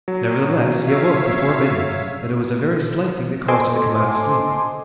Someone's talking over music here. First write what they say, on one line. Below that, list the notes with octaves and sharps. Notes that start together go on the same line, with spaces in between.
Nevertheless he awoke before midnight, and it was a very slight thing that caused him to come out of sleep.
F#3
C#5 E5 F5
A4 C5 D#5 G#5 C6 D6